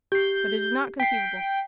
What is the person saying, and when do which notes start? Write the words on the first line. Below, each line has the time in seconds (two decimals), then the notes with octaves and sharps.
But it is not conceivable.
0.12 G4 G6 C7
1.00 G5 B6 C7